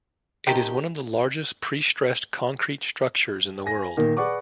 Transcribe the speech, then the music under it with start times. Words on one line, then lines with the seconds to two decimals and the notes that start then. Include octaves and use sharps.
It is one of the largest prestressed concrete structures in the world.
0.47 C3 D#3 F3 G4
3.66 G#5 A#6
3.97 A#2 D#3 A#3
4.17 G#4 B4 D5 F#5 C#6 D6